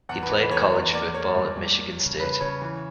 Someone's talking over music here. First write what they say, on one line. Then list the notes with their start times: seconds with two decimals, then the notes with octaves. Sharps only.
He played college football at Michigan State.
0.09 E2 F#5
0.23 B4
0.30 E3
0.37 B4
0.51 E2 C#5
0.73 E2
0.93 A#3 D5
1.14 A#3 C#5
1.35 G2
1.57 G2
1.77 A#3
1.99 C#3
2.20 C#3 B4
2.40 C#3 C#5
2.62 E3